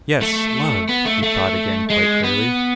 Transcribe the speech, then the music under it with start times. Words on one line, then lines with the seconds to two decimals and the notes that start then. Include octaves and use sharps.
"Yes--love," he thought again quite clearly.
0.21 A3
0.89 B3
1.05 A3
1.23 A3
1.90 G#3
2.24 B3